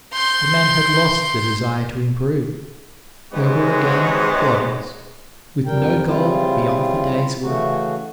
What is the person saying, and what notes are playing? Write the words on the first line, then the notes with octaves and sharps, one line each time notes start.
The men had lost the desire to improve; they were again plodders, with no goal beyond the day's work.
C6 G6
G#2 C3 G#3 B3 F#4 C#5
F2 G3 A#4 G5
C#3 G3 C4 E4 F4
C#3 E3 A3 F#4